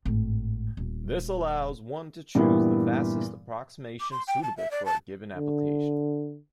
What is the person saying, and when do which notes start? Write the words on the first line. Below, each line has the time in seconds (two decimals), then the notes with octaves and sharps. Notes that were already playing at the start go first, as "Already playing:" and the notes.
This allows one to choose the fastest approximation suitable for a given application.
0.05 G#1 A2
0.77 D#1
2.35 G2 A#2 E3 B3 E4
4.00 D6
4.11 C6
4.27 G5
4.43 A5
4.57 E5
4.71 D5
4.86 A5
5.35 D3